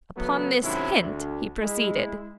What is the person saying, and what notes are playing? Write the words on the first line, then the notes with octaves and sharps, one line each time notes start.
Upon this hint he proceeded.
C#3 E3 F#3 A3 B3
G#2 C3 D#3 F#3 C#4 E4
D2
G#3 E4